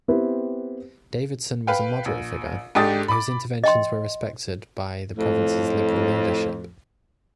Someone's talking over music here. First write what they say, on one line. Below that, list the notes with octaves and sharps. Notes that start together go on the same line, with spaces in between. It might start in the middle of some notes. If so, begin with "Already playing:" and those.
Davidson was a moderate figure, whose interventions were respected by the province's Liberal leadership.
B3 C4 E4 G4 B4
B4 F5 G5
A#1
G#2 D4 G4 A4 D#6 A6
B5 D6
D#5 G5 C6
F2 A2